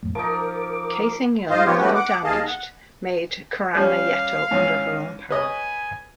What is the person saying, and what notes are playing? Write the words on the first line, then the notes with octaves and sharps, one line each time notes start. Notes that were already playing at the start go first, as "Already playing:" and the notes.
"Cassin Young", although damaged, made Kerama Retto under her own power.
F#2 A2
F3 D#4 A#4 D6
G#2 F4 C5 D#5 F5
F3 B3 F4 G4 C#5
A3 B3 C#4 F#4 G4 B4
F#5 D6
D#2 G#4 D#5 F5 A5
F#5
G3 C#4 F5
G#2 E3 C#4
B4 C#5 D#5 G#5